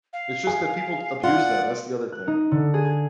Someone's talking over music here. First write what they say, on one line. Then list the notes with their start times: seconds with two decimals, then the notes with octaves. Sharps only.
It's just that people abuse them, that's the other thing.
0.13 F5
0.47 G#4 G#5
1.23 F4 D5 F#5
2.12 F#6
2.27 D#4
2.51 D3
2.74 G#4
2.85 G#6